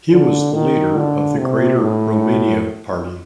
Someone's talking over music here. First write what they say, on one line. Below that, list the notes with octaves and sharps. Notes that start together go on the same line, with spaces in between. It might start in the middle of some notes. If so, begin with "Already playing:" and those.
He was the leader of the Greater Romania Party.
D3
D#3
D3
C3
A2